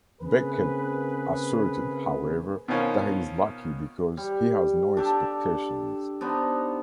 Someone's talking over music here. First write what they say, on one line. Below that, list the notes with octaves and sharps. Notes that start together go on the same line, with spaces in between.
Beckett asserted, however, that he is lucky because he has "no expectations".
C#3 A#3 C4 G#4 B4
B2 D#3 C4 C#4 F4 A#4
G3
D4 G4 A4
B3 D4 D#4 C5